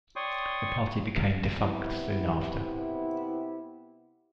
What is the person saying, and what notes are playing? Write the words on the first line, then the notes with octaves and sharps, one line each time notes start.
The party became defunct soon after.
C#5 D5 G5 C6 C#6 D#6
C3 B3 E4